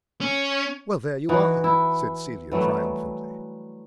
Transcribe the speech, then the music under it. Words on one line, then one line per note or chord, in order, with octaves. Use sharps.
"Well, there you are," said Celia triumphantly.
C#4
E3 D#4 F#4
E4
E3 F#3 G3 A3